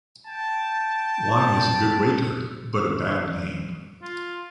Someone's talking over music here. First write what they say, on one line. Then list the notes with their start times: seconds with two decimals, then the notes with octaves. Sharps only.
Wine is a good waiter, but a bad man.
0.27 G5 A5
4.03 F4